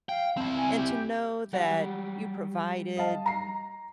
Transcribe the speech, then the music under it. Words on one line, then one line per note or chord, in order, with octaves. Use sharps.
and to know that you provided,
F5 G5
C4 E4 A5
G#5
G4
F#3 G3 G4 F#5
D#5 F5 A5
A#5 C7